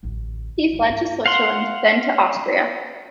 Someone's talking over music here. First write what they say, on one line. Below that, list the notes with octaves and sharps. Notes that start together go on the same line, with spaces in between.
He fled to Switzerland, then to Austria.
A1 D2
G#1 G#3
G#2
F5 F#5 C6